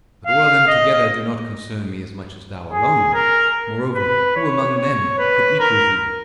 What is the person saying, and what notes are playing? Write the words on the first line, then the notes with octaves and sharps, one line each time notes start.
But all of them together do not concern me as much as thou alone; moreover, who among them could equal thee?
F5
D#5
G#4
A#4
B4
C#5
C#5
B4
A#4